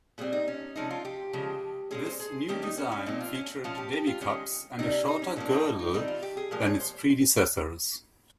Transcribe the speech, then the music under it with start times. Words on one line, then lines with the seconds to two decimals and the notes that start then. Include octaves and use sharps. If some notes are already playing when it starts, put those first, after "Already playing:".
This new design featured demi-cups and a shorter girdle than its predecessors.
0.18 A#2 G3 C4 G#4
0.32 D#4
0.48 C#4
0.75 C3 F3 G#3 C#4 D#4
0.91 F4
1.05 G4
1.33 C#3 F3 G#3
1.91 A#2 G#3 C#4 G#4
2.06 C5
2.20 G#4
2.48 D#3 A#3 C#4 G4
2.63 D#4
2.77 C#4
2.92 C#4
3.06 A#2 F3 C4 D#4
3.20 F4
3.35 C#4
3.64 F3 G#3 C#4 F4
3.78 G4
3.93 G4
4.07 F4
4.21 D#3 G#3 C#4 G4
4.79 C3 G3 C#4 D#4
4.93 C#4
5.08 D#4
5.22 C#4
5.36 A#2 F3 A#3 C#4
5.51 D#4
5.79 D#4
5.94 D#3 G3 C4 D#4
6.08 F4
6.22 G4
6.37 G#4
6.51 A#2 F3 G#3 A#4
6.66 C#5
6.80 C5